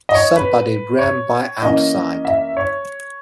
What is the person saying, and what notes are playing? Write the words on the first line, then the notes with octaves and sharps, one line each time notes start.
Somebody ran by outside.
D#5
C#5
B4
C#5
E3 A#3 C#4 D#5
E5
C#5